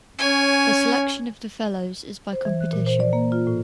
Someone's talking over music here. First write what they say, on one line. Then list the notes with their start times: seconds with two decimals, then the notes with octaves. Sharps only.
The selection of the Fellows is by competition.
0.19 C#4 C#5 G#5
2.33 C5
2.45 E3
2.60 F#6
2.73 A#2
2.86 C5
3.00 D5
3.13 A#3
3.32 F4
3.47 A2